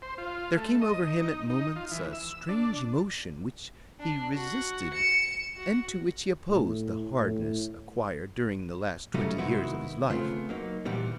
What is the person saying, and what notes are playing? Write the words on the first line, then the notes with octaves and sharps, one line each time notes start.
There came over him at moments a strange emotion which he resisted and to which he opposed the hardness acquired during the last twenty years of his life.
C5
F4
A3
D#5
D#4
D#4
D#4
F4
E3
E6
D4
D4
F#4
C#7 E7
F#4
A2
A2
C#3 F#3 G3 A3 C#4 D#4
C3 D#3 G#3 B3 E4 F#4
C#3 A3 B3 C4 F4
F#3 A#3 D#4
A#2 D#3 E3 G3 B3